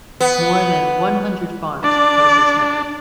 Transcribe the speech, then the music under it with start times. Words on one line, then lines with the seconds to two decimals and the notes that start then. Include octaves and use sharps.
More than one hundred farms are part of this network.
0.20 B3
1.84 D4 D5